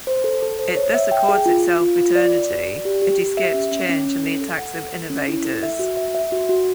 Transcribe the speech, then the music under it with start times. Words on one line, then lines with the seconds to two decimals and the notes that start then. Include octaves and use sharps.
It thus accords itself eternity; it escapes change and the attacks of innovators.
0.07 C5
0.24 A4
0.42 A4
0.59 C5
0.76 C#5
0.94 E5
1.11 G5
1.29 G#4
1.46 F4
1.63 F4
1.81 F4
1.98 F4
2.15 D5
2.33 D5
2.50 F#4
2.67 D5
2.85 G4
3.02 G4
3.20 G4
3.37 E5
3.54 C#4
3.72 C#4
3.89 C#4
4.06 C#4
4.24 A4
4.41 A4
4.58 F#5
4.75 A4
4.93 A4
5.10 C#4
5.28 E4
5.45 A4
5.63 E5
5.79 F#4
5.97 E5
6.15 E5
6.32 F#4
6.49 F#4